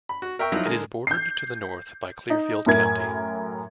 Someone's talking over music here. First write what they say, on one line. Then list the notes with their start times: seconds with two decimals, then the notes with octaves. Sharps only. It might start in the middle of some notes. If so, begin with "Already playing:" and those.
It is bordered to the north by Clearfield County.
0.09 B5
0.22 F#4
0.39 A#4 E5 G5 C#6
0.52 F3 F#3 D#4 E4
0.65 D3 G#3 A#4
1.07 G6 C7
2.30 D#4
2.66 F#2 A2 E4 A#4 G#5 G#6